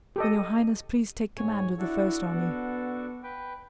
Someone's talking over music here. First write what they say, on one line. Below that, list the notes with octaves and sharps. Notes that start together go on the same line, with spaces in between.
"Will Your Highness please take command of the first army?"
G4 A4 D#5
G#2 C#5 G#5
D4 E4 F#4 A4
B3
B4 G5